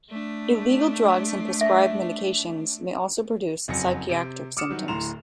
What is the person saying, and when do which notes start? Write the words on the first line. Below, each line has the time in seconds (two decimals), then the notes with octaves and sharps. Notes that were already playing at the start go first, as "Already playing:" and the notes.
Illegal drugs and prescribed medications may also produce psychiatric symptoms.
0.10 A3 D4
1.61 E5
3.68 F#1 F2 F#3 G#5 A#6 C#7
4.09 C3 D7
4.57 D6 D#6 F6 C#7 E7
4.70 D#3 F#3 G3
4.88 D1 A2 A#5 C6 E7 F7